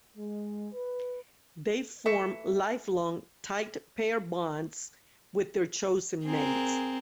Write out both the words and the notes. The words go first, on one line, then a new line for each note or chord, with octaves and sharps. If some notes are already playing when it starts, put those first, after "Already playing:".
They form lifelong, tight pair bonds with their chosen mates.
G#3
B4
E3 A3 E5 C#6
C4 G#4 A#4